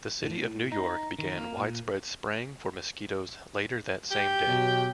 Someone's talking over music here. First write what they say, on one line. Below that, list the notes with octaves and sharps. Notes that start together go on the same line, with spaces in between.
The city of New York began widespread spraying for mosquitos later that same day.
A2
D#4
D#3
A#3
A#2
G4
B2 F#3